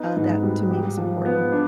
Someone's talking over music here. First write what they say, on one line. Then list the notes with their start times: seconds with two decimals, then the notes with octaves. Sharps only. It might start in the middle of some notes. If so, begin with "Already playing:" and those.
uh, that to me was important.
Already playing: B3 D#4
0.17 G#2
0.43 G3
0.71 G4
0.98 F3
1.25 B3
1.52 D4